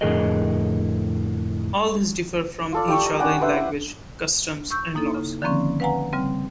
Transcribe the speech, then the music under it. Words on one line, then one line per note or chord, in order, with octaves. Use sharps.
All these differ from each other in language, customs and laws.
F2 A2 D3 G#4 A#4 D#5
F4 A4 D5
G3 G5 C#6
A#5
G3 C#4 D5 F#5
B4 C5 E5 F#5
E4
C#6 E6 G6
A#3 D#4 E4 A4
C#3
D3 D#3 F3 A#3 C4 C#4
B4 F5 F#5 G#5 A#5
C#3 G3 C4